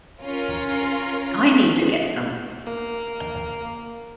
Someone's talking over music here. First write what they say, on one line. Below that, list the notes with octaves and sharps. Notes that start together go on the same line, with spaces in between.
I need to get some.
C#4 F4 A#4
A#3